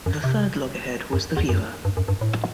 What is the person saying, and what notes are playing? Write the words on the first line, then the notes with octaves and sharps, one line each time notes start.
The third loggerhead was the viewer.
F#2
C3
F#2
E2
F#2
G2
F#2
G2
A2